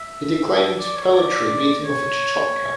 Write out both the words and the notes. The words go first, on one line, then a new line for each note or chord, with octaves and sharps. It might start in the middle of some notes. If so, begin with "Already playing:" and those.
He declaimed poetry, beating off a chechotka.
Already playing: E5
D5
C#5
D5
C#5